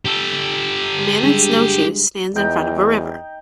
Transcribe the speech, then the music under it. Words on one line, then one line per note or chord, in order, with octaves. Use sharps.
A man in snowshoes stands in front of a river.
G4 A4
D3 G3 G#3
E2 D#4 G5